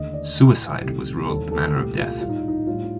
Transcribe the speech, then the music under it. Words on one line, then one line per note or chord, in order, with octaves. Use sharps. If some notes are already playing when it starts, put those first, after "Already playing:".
Suicide was ruled the manner of death.
Already playing: D#2 D3 A3 D#5
D5
A2 A3
C2 C3 D#3 A3 G4
D#2 D3 G3 A4
A4
C2 A#2 A3 G4
F4
A2 G3 F4
D#4
D#4
A2 G3 F4